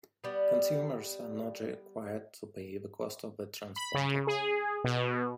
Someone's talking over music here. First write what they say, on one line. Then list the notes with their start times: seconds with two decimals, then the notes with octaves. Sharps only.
Consumers are not required to pay the cost of the transponder.
0.24 G3 B3
3.76 B5
3.94 C#3
4.27 G#4
4.84 B2